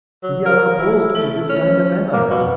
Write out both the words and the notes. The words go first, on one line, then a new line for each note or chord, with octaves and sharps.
"We are opposed to this kind of anarchy...."
F#3
A#4
E4
A3
C#4
A#3
B2